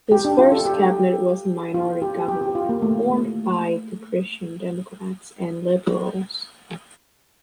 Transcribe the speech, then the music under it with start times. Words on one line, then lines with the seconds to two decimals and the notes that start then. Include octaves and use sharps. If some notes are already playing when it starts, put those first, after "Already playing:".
His first cabinet was a minority government formed by the Christian-democrats and liberals.
0.12 G4
0.25 D4
0.38 F4
0.52 A4
0.65 G4
1.74 F4
2.02 G4
2.28 G4
2.41 G4
2.55 F4
2.69 A#3
2.82 A3
3.10 A3